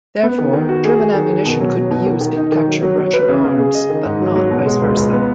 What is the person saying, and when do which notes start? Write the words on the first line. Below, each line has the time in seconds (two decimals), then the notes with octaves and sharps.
Therefore, German ammunition could be used in captured Russian arms, but not vice versa.
0.23 B3
0.38 D#3
0.53 D#3
0.69 F#4
0.84 G#4
1.00 G#4
1.14 D#3
1.29 D#3
1.46 B2
1.60 F#3
1.76 F#3
1.91 B2
2.06 D#3
2.21 D#3
2.37 D#4
2.52 D#3
2.67 F#3
2.82 F#3
2.98 F#3
3.13 B4
3.28 C#3
3.44 C#3
3.59 G#4
3.75 D#5
3.90 D#3
4.05 G#2
4.21 F#3
4.36 F#3
4.51 B2
4.66 G#3
4.82 C#2
4.97 C#2
5.13 B3